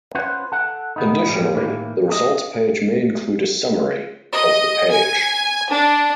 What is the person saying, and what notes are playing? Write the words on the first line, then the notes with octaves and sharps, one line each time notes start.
Additionally the results page may include a summary of the page.
C#4 F4 B4 C5 F#5
A4 F#5
D#3 B3 D#4
A2 F3 G3 G#3
A2 D#3 E3 A#3
A3 D#5
D#5
G#5
D4